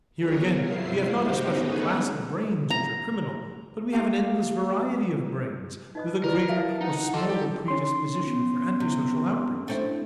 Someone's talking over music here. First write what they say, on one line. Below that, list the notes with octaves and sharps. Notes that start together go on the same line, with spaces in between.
Here again we have not a special class of brains which are criminal; but we have an endless variety of brains with a greater or smaller predisposition for antisocial outbreaks.
F#3 G3 B3 G#4 A#4 C#5
G2 C3 E4 F4 C7
D#4 F#4 G4 C5
A3 B3 C#4 D#4 G#4 B4
A#5
A#3 D#4 F4 G4 F5
D#4 B4 D#5 D#6
E4 A#4 B4 D5
E5 F5 A5
D#4 F#5
F4 A4 D#5 A5 D6
G4
C#4 D#4 C6
B3
C3
A3 C4 D4 E4